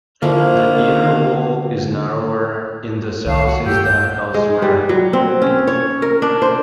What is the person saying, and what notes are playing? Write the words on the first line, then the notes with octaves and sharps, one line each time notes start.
The inner wall is narrower in the southeast than elsewhere.
D3 F3 A#3 E4
C2 D#3 F5 A5
F#4
G2 A#2 G4 E6 G6
G6
G#3
G3
F#3
C4
C#4
C#5
A#4
D4
C5